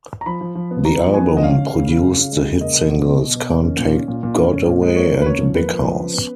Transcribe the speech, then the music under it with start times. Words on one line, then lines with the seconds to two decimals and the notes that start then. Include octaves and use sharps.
The album produced the hit singles "Can't Take God Away" and "Big House".
0.21 A#5
0.26 F3 B5
0.41 F3
0.55 F3
0.71 B3
0.85 B3 A#5
0.99 F3
1.14 B3 G#5
1.30 F3
1.37 D#5
1.43 C#4 F5
1.58 C#4
1.73 C#3
1.89 C#3
2.03 C#4
2.18 C#3
2.32 G#3
2.46 C#3
2.61 A#3 D#5
2.76 B2
2.91 B2
3.05 B2
3.20 B2
3.35 B2
3.49 A#3
3.64 C#4
3.79 A#2
3.94 C#4
4.08 A#2
4.23 A#2
4.38 C#4
4.53 C#4
4.67 A#2
4.82 G#3
4.96 A#3 C#5
5.11 A#3
5.22 B4
5.25 C#4 C#5
5.41 F3
5.55 A#3 B4
5.69 F3
5.85 F3
5.99 C#4
6.14 B3